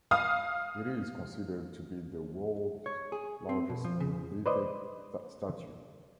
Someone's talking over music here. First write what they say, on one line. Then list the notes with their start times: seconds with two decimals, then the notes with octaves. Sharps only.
It is considered to be the world's largest monolithic statue.
0.11 F5 D#6 F6
2.86 C#5
3.12 G#4
3.49 C4
3.70 B2
3.84 F3
4.00 C#3
4.46 B4 C5 D5 D#5